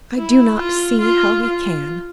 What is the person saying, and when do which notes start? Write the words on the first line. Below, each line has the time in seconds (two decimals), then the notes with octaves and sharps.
I do not see how he can.
0.16 E4
0.57 F4
1.00 F4
1.42 F4